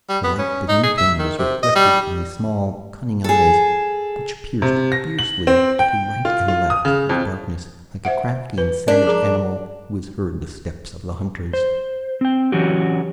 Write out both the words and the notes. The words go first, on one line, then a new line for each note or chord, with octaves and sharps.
The light beneath him was reflected in his small, cunning eyes which peered fiercely to right and left through the darkness like a crafty and savage animal who has heard the steps of the hunters.
G3
B3
C#4
D#4
G#4
E5
D#3
C3
D#5
G3
G#4 A4
C3
A#6
F#7
C4
G5
F4
F4
D#6
C#3
F2
C5 E5 F#5
B4
C#4 D4 A#4
F3 G#4 A#5
C5
C4 G5
E3 F#3 C#4 F#4 G4